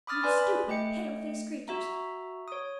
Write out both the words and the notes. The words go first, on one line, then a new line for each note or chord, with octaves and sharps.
You stupid, pale-faced creatures!
B5 D6 D#6 F6 A6
B4 D5 G#5 B5 C6
B5
A3 D#5 G5 C#7
F#4 E5 A#5
C#5 D#6